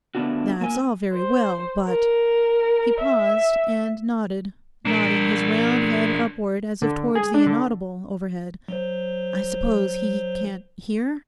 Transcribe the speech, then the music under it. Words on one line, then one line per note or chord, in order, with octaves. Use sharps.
That's all very well, but'--he paused, and nodded, nodding his round head upward as if towards the inaudible overhead, 'I suppose he can't HEAR?'
D3 A3 B3 D4 F4 F#4
A#3 G#5
C5
A#4
E5
D4 A#4
D3
G#4
D4
D3
F#3 C5